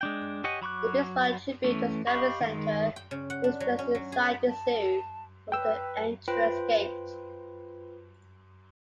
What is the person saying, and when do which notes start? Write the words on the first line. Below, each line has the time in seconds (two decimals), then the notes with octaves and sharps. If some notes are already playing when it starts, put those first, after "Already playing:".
The Bismarck Tribune Discovery Center is just inside the zoo from the entrance gate.
0.01 G#3 D4 G5
0.44 G4 C#5 D#5 F#5 G#5
0.61 F#3 B5 C#6 D6 F#6
1.64 E3 A3 C#4
2.07 G4 D#5 F5 B5 C#6
2.41 D#3 G#3
2.96 G5
3.11 C#3
3.30 F#5
3.44 D4
3.60 F#3
3.79 C#4
3.95 F#3
4.12 G#4
4.48 A5
5.52 B4 G5 E6
6.28 F4 B4 C5 G5 B5